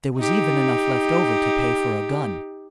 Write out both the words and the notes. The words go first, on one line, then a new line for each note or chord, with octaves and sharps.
There was even enough left over to pay for a gun.
D#4 G4